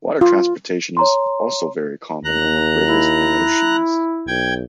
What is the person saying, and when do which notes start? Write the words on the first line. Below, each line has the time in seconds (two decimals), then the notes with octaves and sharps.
Water transportation is also very common along rivers and oceans.
0.21 F4
0.97 C#5 A#5 C6
2.24 D#2 A#5 F#6
2.87 E4
4.28 B1 G5 G#6